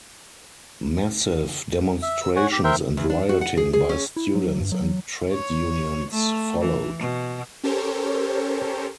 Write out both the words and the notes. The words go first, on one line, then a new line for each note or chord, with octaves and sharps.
Massive demonstrations and rioting by students and trade unions followed.
E5
E6
C#5 F#5 G#5
G4
A#4 C5 E5 G5
E2
D4
F#4
F#5
G#4
G#4
C#4
E4
F#3
G2
F#3
C#5
A3
E3
B2
C#4 G4 A4 A#4 C5 C#5